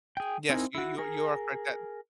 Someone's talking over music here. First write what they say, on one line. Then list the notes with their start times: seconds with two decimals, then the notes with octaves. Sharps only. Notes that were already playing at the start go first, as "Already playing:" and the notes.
Yes, you you are you are correct, that
0.17 G#4 G5
0.50 C4 D#4 E4 A#4 G#5
0.75 E4 F#4
0.98 G#4 A#4